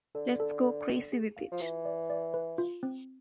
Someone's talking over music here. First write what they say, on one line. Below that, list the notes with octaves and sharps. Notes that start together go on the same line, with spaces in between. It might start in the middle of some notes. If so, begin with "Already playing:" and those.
Let's go crazy with it.
D3 A4
A4
A4
D5
G#4
F5
F3
E3 F4
D5
D5
B4
F4
C4